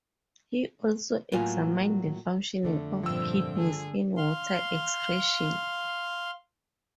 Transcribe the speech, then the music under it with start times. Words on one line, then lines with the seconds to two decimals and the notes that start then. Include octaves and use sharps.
He also examined the functioning of kidneys in water excretion.
1.32 A2 F#3 A#3 F4 G#5
2.63 F2 D3 A3
3.03 G2 A#2 F3 C4 G5 E6
3.58 D3 G#4 A4
4.17 F5 C6